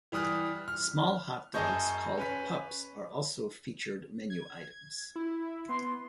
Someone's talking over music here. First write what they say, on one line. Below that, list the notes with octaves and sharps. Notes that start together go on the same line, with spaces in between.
Small hot dogs called "pups" are also featured menu items.
E3 G3 D#6 F6 F#6
F6
F#2 G#4 D#5 A5 C#6 G6
C#4 B4 B6
G#6
E4
B3 C6